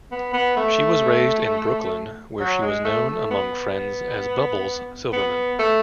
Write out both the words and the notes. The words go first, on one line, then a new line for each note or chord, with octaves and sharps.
She was raised in Brooklyn, where she was known, among friends, as "Bubbles" Silverman.
B3
B3
A3
F#3
G#3
A3
A3
B3
B3
A3